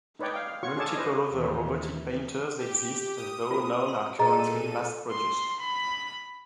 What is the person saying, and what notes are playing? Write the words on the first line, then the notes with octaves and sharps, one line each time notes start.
Multiple other robotic painters exist though none are currently mass-produced.
D#4 B4 C#5 D5 G5
F5 G5
F5
F4 F#4 C#5 C#6
C#4 G#4 A4 C#5 D5 A5
B4 C5 D#5
D#2 E3
G4
D#6
F4 F#4
C6 C#6
A#2 G#4 A4 D#5 A#5 D#7
C6
B5